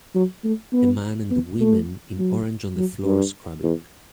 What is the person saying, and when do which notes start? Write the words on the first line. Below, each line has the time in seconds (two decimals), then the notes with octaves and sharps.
A man and women in orange on the floor scrubbing.
0.15 F#3
0.44 A3
0.73 B3
1.31 B3
1.60 A3
2.19 F#3
2.77 F#3
3.05 G2
3.63 E2